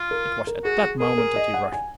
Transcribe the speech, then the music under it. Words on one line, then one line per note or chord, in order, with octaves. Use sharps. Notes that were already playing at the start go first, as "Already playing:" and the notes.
It was at that moment that he rushed me.
Already playing: F4
A#4
A#4
F#4 G#4
G#4
G#4 A#4
A#4
D#5
F#5
G#5